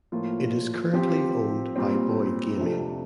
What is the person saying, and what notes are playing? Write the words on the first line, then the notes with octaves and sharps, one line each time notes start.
It is currently owned by Boyd Gaming.
A2 F3 A#3 F4
F3 C4 G4
A#2 G3 C4
F2 C3 F3 A3 D4